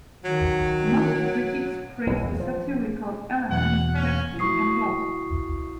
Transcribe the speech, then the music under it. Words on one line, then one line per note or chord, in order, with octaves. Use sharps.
Most critics praise the satirical elements, casting, and plot.
D#3 F#3
B1
E2
F3
E2 B2 F#5
C#4
E4 F#4 C#6 D#6 C7